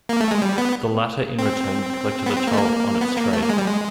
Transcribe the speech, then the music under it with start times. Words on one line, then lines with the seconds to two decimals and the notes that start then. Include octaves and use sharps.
The latter in return collected a toll on its trade.
0.09 A#3
0.21 A3
0.31 G#3
0.42 G3
0.58 B3
1.39 C4
2.26 B3
2.36 C4
2.48 A#3
2.53 A3
2.58 A#3
3.01 B3
3.17 A#3
3.33 A3
3.41 A#3
3.50 G#3
3.58 G3
3.66 G#3